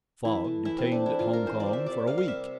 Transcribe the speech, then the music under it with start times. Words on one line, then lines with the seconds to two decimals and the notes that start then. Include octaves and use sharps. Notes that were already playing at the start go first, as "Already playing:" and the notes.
Fogg detained at Hong Kong for a week!
0.25 E3 E4
0.44 A3
0.65 E3 E4
0.79 C4
0.85 A3
0.92 D4
1.06 E3 E4
1.19 F4
1.26 A#3
1.33 A#4
1.46 E3 C5
1.60 D5
1.66 A#3
1.73 E5
1.86 C3 D5
2.07 G3 A#3 F5
2.18 F5
2.28 C3 E5